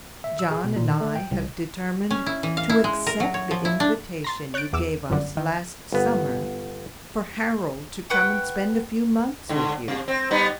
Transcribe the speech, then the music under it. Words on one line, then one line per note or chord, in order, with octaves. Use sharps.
John and I have determined to accept the invitation you gave us last summer for Harold to come and spend a few months with you.
E5
E6
G#4
B2
A#2
D#3
A3
G5
C2
C#4
E4
E3
F5
E4
G#3
A#4
F#3
C#5
F3
E4
D4
A#5 C6 A6
C#5 F#6 G6 A6 D7
E2 D6 E6
G1 F#2 D3
D#3
G1 B3
B4 F#5 G5 C#6
G#2 D3
C3
C4
G3 B3 D#4